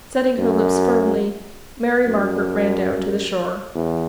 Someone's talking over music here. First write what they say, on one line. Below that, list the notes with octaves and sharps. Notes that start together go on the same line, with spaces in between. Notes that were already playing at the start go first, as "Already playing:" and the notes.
Setting her lips firmly, Mary Margaret ran down to the shore.
F#2
F#2
E2